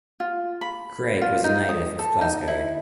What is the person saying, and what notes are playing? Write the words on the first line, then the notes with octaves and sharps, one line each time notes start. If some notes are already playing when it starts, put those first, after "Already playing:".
Craig was a native of Glasgow.
F4
B5
F4
D#4
D#6
A4
D#4
E4